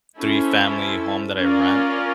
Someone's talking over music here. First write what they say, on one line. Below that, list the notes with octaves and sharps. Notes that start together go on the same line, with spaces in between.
three-family home that I rent.
C#4 E4 A4 C5
C#4 F4 A#4 D5